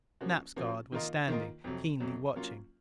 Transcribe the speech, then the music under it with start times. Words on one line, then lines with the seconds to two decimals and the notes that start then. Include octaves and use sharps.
Snap's guard was standing, keenly watching.
0.21 F3 A#3 C#4 F#4
0.56 F3 A#3 C#4 F#4
0.92 D#3 A#3 F4 A#4 D#5
1.28 D#3 A#3 F4 A#4 D#5
1.64 F2 C3 F#3
2.00 F2 C3 F#3
2.36 F#3 A#3 C#4 F4